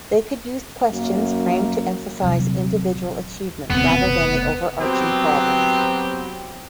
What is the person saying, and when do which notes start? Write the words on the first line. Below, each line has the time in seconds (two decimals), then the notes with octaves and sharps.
They could use questions framed to emphasize individual achievement rather than the overarching problems.
0.93 F#2 A#3
2.22 D#1 C3 F#3 C4
3.70 F1 D#2 B2 B3 C4
4.80 F#3 B3 C4 G4